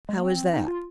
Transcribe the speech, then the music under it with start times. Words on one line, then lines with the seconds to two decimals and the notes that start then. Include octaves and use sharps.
"How is that?"
0.09 G#3
0.18 A#3
0.23 C4
0.54 D#4
0.68 F4